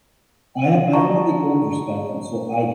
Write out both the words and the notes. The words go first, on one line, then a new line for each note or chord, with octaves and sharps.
I I am on the older spectrum, so I
F#4 D#5 A5 A#5 C#6